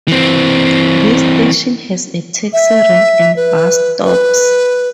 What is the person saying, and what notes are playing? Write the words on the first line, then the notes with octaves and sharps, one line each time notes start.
This station has a taxi rank and bus stops.
E3 C4
E5
B4
B4